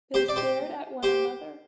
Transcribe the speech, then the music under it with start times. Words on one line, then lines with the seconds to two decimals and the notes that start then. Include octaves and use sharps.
They stared at one another.
0.14 G4 C5
0.28 D5
0.36 G4 C5
1.03 G4 C5